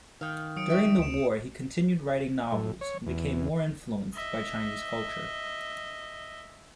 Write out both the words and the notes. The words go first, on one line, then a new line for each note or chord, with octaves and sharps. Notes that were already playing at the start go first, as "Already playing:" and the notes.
During the war he continued writing novels, and became more influenced by Chinese culture.
D#3 F5 G5
F#3 D#6 C#7 D7
E5 G5 C#6
D2 D7 E7
A2
C#5
E2
D#5 E5